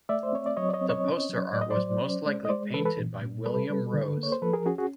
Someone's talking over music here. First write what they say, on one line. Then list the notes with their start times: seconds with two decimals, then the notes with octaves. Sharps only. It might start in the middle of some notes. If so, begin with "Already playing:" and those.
The poster art was most likely painted by William Rose.
0.09 A3 D5 E5
0.23 C5
0.33 C4 C#5
0.46 D5
0.57 F#3 C#5 D#5
0.69 D5
0.73 C#5 D#5
0.81 C4
0.89 C#5 D#5
1.05 C#4
1.29 F#3
1.53 A2 D5
1.61 D#5
1.70 C5 D5
1.77 F#3
2.01 C#4
2.26 G#3
2.45 D#5
2.49 G#3 C5 D5
2.73 E3 A4 B4
2.85 A4 B4
2.98 A#2
3.22 A#2
3.46 G3 A4 B4
3.70 G3
3.94 D3
4.18 A#3
4.23 C#5
4.32 C5
4.42 F3 A4 B4
4.53 G#4 A#4
4.66 C#4 F#4 G#4
4.78 F#4 G#4